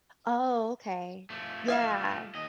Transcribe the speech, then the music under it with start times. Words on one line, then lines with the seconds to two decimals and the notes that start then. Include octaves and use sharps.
Oh, okay. Yeah.
1.30 F3 A3
1.68 E5 F5 G#5
2.35 D#2 D#5